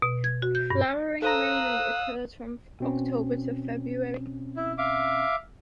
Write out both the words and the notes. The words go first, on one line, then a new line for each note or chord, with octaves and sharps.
Flowering mainly occurs from October to February.
B2
G#6
F#4
G6
G2
A4 C5 F5 A#5 D#6 E6 F#6
B2 C4 C#4
E4
E5 F5 D6